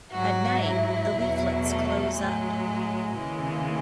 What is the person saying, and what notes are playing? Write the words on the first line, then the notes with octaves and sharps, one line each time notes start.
At night, the leaflets close up.
G#2 F#3 F#4
E4
E2 B2 F#3
A3
A2 F#3 G#3
D#2 C#3 E3 G#3